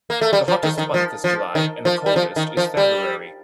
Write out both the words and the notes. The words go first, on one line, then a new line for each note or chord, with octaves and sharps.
The hottest month is July and the coldest is February.
A#3
A3
G3
F3
D#3
D#3
F3
F3
D#3
F3
G3
F3
D#3
F3
G3